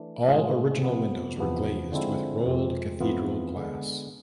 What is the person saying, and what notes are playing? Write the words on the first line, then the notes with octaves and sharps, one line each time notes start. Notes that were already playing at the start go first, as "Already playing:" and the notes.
All original windows were glazed with rolled Cathedral glass.
Already playing: E3 A3 D4
A2 G#3 D4 F4 G#4
C3 F3 B3
E2 C3 F3 B3
D3 F3 G#3 C4 E4
F2 C3 G#3 C4
F2 E3 B3 F4
D3 G#3 B3